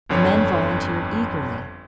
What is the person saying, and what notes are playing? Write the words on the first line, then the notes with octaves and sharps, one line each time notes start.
The men volunteered eagerly.
G1 F2 D3 C#5